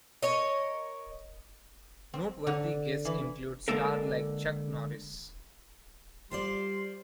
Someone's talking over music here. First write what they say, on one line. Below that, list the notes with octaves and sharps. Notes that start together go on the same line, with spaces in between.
Noteworthy guests include stars like, Chuck Norris.
A#4 C#5 D#5
C4
D3
E3
D3 G#3 A#3 A4 A#4
G3 F4 C5 D5 C6